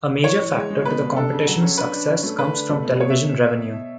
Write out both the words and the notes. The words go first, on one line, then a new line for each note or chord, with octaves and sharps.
A major factor to the competition's success comes from television revenue.
E3 C#5
E3
G#3
G#3
B2 B4
B2
D4 A4
C#3
F#3
C#4
D4 B4
D4
C#4
A3
D3 B4
D4
A3
B2
B2 C#5
E5